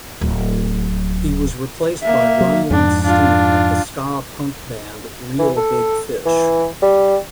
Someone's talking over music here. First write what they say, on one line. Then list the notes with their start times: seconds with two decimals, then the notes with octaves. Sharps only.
He was replaced by Ryland Steen, of the ska punk band Reel Big Fish.
0.21 D1 F#3
2.02 A#3 E5
2.41 F#3
2.71 F2 G#2 D4
3.03 D4 F4
5.39 E3
5.57 A4
6.26 E3
6.82 G3